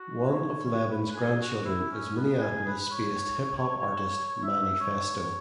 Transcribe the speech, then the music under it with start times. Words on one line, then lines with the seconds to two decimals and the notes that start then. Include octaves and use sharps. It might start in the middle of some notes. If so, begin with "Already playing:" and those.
One of Levins's grandchildren is Minneapolis-based hip hop artist Manny Phesto.
Already playing: F#4
0.27 C#5
0.65 C#5
0.90 B4
1.11 B4
1.15 G#4
1.40 F#4
1.65 E4
1.91 C#4
2.16 B3
2.40 G#4
2.66 B4
2.91 C#5
4.43 E5
4.80 C#5
5.18 C#5